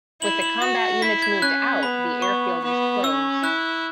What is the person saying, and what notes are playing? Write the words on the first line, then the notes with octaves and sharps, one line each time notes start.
With the combat units moved out, the airfield was closed.
E4 F#7
F#7
F#4 E7
E4 B6
G#6
C#4 F#6
B3 B5
C#6
B3
C#4 E6
E4 F#6